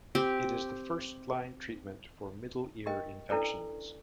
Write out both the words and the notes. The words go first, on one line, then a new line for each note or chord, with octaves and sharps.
It is the first line treatment for middle ear infections.
C4 G4
G4 A#4 D#5 G5
C#4 D4 E4 A4 B4 D5